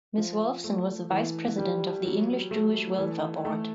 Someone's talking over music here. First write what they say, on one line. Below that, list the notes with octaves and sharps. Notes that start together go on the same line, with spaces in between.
Mrs Wolfson was a Vice-President of the English Jewish Welfare Board.
F3
A3
E3
G3
F#3
A3
E3
A3